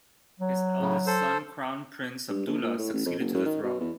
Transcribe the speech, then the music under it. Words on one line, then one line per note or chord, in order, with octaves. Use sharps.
His eldest son Crown Prince Abdullah succeeded to the throne.
F#3
A2 C#3
A4 C5
G2
A#1
A#2
A2
A1
F2
F#1
F#2
D#3
B2
E2